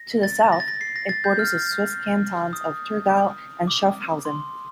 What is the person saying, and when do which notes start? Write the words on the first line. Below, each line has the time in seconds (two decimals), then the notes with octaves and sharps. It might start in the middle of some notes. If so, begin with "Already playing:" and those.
To the south it borders the Swiss cantons Thurgau and Schaffhausen.
Already playing: A#6
0.23 A6
0.52 A#6
0.60 A6
0.68 A#6
0.81 C7
0.96 A#6
1.09 A6
1.24 G6
1.39 F6
2.53 D#6
3.67 D6
4.25 C6